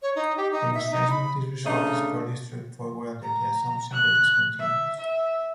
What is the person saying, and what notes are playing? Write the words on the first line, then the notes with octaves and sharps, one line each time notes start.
Demonstration of this result is fairly straightforward under the assumption that is continuous.
C#5
D#4
G4
D#4
E5
D#4
B5
C#3 A3 D4 D#4 G#4 D#5
A#5
F#6
E5
E5